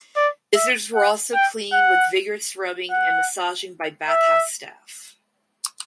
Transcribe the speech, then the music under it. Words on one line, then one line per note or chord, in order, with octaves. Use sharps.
Visitors were also cleaned with vigorous rubbing and massaging by bathhouse staff.
D5
E5
F#5
G5
F#5
F#5
E5